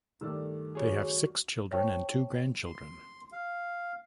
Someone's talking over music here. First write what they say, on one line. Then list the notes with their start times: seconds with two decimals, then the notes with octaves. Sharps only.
They have six children and two grandchildren.
0.21 G2 D#3 A3 A4 D5 E6
0.75 F#4 G#4 C#5
1.71 C5 C#5 E5 G5 A5 C#6
2.65 C6
3.32 F5